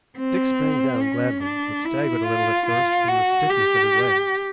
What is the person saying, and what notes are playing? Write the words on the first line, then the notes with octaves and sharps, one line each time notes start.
Dick sprang down gladly, but staggered a little at first from the stiffness of his legs.
C4
C#4
D4
E4
F4
F4
F#4
G4